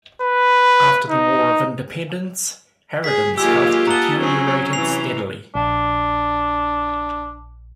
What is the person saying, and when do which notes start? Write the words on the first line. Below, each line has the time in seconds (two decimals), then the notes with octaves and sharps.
After the War of Independence, Haraden's health deteriorated steadily.
0.22 B4
1.10 D#4
3.04 G#4 B6
3.38 D#3 F#3 G#3 A#3 F4 G4 G#5 E6
3.87 F#5 A5 A#5 D#6 G7
4.19 F#3 C4 C#4
4.73 C3 E3 C7 F7
5.55 A#1 D4